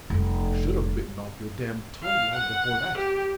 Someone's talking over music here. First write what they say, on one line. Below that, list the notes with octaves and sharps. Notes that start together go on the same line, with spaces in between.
You should've bitten off your damned tongue long before that.
F1 G3
F5
F#5
G4